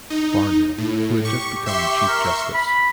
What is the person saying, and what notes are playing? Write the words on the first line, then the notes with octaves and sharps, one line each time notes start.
Barnhill, who had just become Chief Justice.
D#4
A2
G4 C#6
G4 E5 C6 C#6
A#4
B5